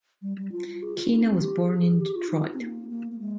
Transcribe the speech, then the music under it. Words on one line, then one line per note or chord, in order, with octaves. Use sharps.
Kina was born in Detroit.
G3
G3
F4
F4
G#4
F4
D#4
C4
G4
G#4
G#4
G4
F4
D#4
C4
A#3
A#3
A#3
G#3